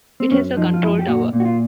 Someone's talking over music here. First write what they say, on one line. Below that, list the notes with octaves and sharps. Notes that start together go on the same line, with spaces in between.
It has a control tower.
C4
F#2 C#4
F3 D#4
F4
F#2 E4
G4
A#2 F#4
A#2
F#4
F4